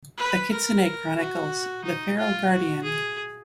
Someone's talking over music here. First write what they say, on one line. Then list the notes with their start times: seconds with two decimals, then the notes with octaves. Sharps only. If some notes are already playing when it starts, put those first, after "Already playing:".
The Kitsune Chronicles: The Feral Guardian.
0.18 B4
0.52 A#4
1.18 F#4
1.85 D#4
2.18 F4
2.51 F#4
2.84 G#4